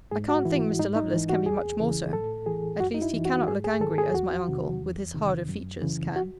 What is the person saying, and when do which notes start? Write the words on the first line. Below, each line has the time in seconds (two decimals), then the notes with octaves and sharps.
I can't think Mr. Lovelace can be much more so; at least he cannot look angry, as my uncle, with his harder features, can.
0.11 G#2 G#4
0.29 F#4
0.45 E3 E4
0.79 G#2 D#4
0.96 D#4
1.13 E3
1.30 F#4
1.46 E2 G#4
1.80 C#3 E3
2.13 A2 A4
2.46 E3 G#4
2.80 F#2 F#4
2.94 D#4
3.02 E4
3.13 E3
3.25 F#4
3.47 G#2 G#4
3.64 G#4
3.80 D#3 A4
3.98 G#4
4.14 E2 F#4
4.48 C3 D#3
4.82 E2
5.14 C3 D#3
5.49 F#2
5.81 C#3 E3
6.16 F#4